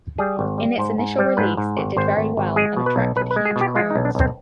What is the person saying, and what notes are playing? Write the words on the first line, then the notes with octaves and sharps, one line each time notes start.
In its initial release, it did very well and attracted huge crowds.
G3 G#4
G#1
G3
G#2 C5
G#2
G3
G#2 B4
G#2
G#1
G#1 C5
G#1
G#1
G#3 G#4
B2
B4
B1
B1 B4
B4
G#3
G#4
B2
G4
G#3 F4
D#4
B1
D4
B1
C4